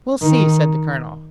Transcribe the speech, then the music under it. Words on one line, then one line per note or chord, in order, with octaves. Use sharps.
"We'll see," said the colonel.
D#3